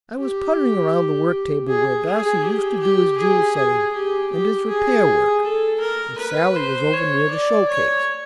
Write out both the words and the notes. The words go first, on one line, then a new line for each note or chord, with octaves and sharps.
I was puttering around the work table where Darcy used to do his jewel setting and his repair work, and Sallie was over near the showcase.
G4
G#4
G#4
G4
G4
G#4
G#4
G4
G4
G#4
A4
A#4
B4
C5
C#5
D5
C#5